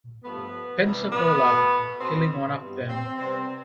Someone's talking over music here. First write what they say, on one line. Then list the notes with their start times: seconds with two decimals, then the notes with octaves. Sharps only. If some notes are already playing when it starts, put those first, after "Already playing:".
"Pensacola", killing one of them.
0.24 G2 F3 A3 B3
0.83 C3 E3 G3
1.12 B3
1.42 B2 A3
2.00 B2 B3 C4
2.59 G2 E3 G3 B3
2.88 C4
3.18 C3 G3 B3 C4